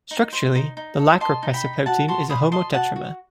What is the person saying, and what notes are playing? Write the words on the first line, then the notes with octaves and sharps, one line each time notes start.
Structurally, the "lac" repressor protein is a homo-tetramer.
D#4
C5
D#4
D#4
A4
D#5 A5 C6
D#4
G5 B5
D#4
F#4 F#5 A5
F#4 A5 C6
C5 B5 D#6
D#5 A5 C6
F#4 F#5 A5
F#4